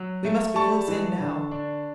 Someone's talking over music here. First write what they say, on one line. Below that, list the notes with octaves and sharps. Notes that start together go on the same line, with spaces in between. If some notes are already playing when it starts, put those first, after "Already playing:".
We must be close in now!
Already playing: F#3
A3
G3 A5 C#6
E3
D3
D4